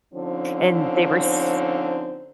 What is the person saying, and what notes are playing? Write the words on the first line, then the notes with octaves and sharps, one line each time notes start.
and they were s
D3 F3 C4 C#4 D#4